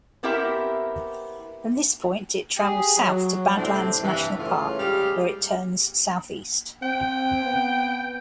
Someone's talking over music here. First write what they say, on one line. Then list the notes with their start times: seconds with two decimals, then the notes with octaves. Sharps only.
From this point, it travels south to Badlands National Park, where it turns southeast.
0.23 B3 C4 E4 G4 A#4 E5
2.57 G4 G#4
2.96 F#3
3.57 A2 C3 C4 D4
4.02 G2 C3 E3
4.38 A2 C#3 E3 C#4 F4
4.79 G3 G#3 G4 G#4 F5
6.83 C4 G5
7.44 B3